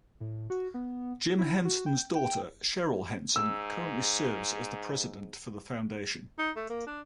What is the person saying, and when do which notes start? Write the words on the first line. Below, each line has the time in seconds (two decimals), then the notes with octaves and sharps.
Jim Henson's daughter Cheryl Henson currently serves as the president for the Foundation.
0.20 A2
0.50 F#4
0.74 B3
1.38 E4
1.65 F#4
1.86 G5
2.15 G5
3.36 G#2 E6
6.38 D#4
6.56 A3
6.70 A#3
6.87 D4